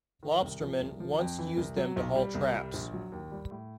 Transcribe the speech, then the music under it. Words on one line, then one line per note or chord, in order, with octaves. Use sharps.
Lobstermen once used them to haul traps.
D#3
C2
F3
C2
F3
F2
E3
C2
F#3
B1
G3
C2
G3
A#1
F#3
D#2
G3
A2